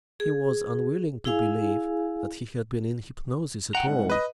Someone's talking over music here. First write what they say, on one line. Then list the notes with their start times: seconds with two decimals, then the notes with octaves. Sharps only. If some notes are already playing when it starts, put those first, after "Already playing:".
He was unwilling to believe that he had been in hypnosis at all.
0.20 G#4
1.25 E4 G#4 F5 G#5
3.75 F#5 G5 A#5
3.86 C2 G#2
4.10 B4 D#5